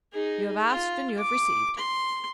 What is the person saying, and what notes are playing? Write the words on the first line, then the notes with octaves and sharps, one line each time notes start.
You have asked, and you have received.
D#4 G#4
F4
D6
C6